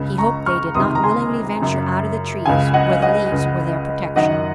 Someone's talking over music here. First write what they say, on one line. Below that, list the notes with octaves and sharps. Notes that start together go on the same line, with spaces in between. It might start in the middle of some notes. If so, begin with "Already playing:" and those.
He hoped they did not willingly venture out of the trees where the leaves were their protection.
Already playing: C#2 C#3
A#5 C#6
C#6 F6
C#2 C3 D#3 C6 D#6
A#5
G#5 C6
F#2 C#3
C#2 C#3 F5 G#5
D#5 F#5
F5
D#5 F#5
C#2 C#3
F#2 D#3 D#5 F#5